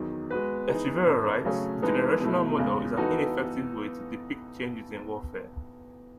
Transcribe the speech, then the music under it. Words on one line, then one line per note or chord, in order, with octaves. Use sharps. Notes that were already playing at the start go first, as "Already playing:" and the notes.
Echevarria writes: the generational model is an ineffective way to depict changes in warfare.
Already playing: E2 D#3 F#3
G#3 B3 F#4 B4
E3 B3 D#4 G#4
A2 E3 A3 C#4
C#3 F#3 A3 C#4 G#4
E3 G#3 B3 D#4 A4
B2 A3 E4
E2 C#3 G#3
E3 B3 D#4 F#4 A4